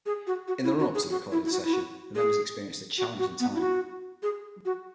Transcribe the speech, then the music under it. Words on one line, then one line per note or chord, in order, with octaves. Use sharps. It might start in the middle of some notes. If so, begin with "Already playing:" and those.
In the run-up to the recording session, the members experienced a challenging time.
G#4
F#4
F#4
E4
F#4
G#4
F#4
E4
E4
F#4
E4
F#4
G#4
F#4
F#4
B3
E4
F#4
G#4
F#4